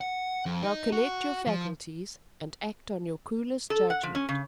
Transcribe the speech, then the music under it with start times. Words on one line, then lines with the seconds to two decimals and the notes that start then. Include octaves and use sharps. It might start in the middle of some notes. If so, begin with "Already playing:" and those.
Now collect your faculties and act on your coolest judgment.
0.01 F#5
0.46 F2
0.63 D#4
0.92 F#4
1.47 F3
3.70 A4
3.90 F#5
4.03 F3
4.15 C#4
4.29 C#3